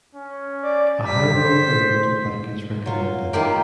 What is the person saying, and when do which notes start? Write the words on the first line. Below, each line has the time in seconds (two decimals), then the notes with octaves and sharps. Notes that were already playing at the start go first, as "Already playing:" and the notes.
A hybrid or mountain bike is recommended.
0.15 C#4
0.63 D5
1.05 G3 B6
1.35 C5
2.86 F#3 F4
3.33 D#3 A#3 E4 F4 G4 A#4